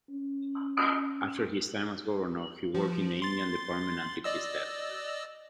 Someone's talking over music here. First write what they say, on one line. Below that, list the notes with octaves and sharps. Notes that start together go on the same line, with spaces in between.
After his time as governor, he worked in the Indian Department until his death.
C#4
F3
C6 A6
D5 D#5 E6